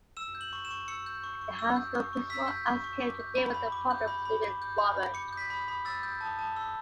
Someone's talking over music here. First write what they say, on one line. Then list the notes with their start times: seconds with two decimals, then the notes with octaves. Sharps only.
The high school principal asks him to deal with a problem-student, Robert.
0.17 E6 E7
0.35 G6
0.41 F#7
0.53 C#6
0.65 E7
0.71 C#6
0.88 E6 C#7
1.06 G6
1.24 C#6
1.41 C#6
1.59 E6
1.76 G6
1.94 C#6
2.13 C#6
2.30 E6 B6
2.48 G6
2.66 C#6
2.84 C#6
3.02 D6
3.20 G6
3.37 B5
3.54 B5
3.72 D6
3.91 G6
4.08 B5
4.25 B5
4.43 D6
4.62 G6
4.78 B5
4.97 B5
5.14 D6 C#7
5.33 G6 B6
5.50 B5
5.68 B5
5.85 E6 A6
6.03 G6
6.21 A5
6.39 A5
6.56 E6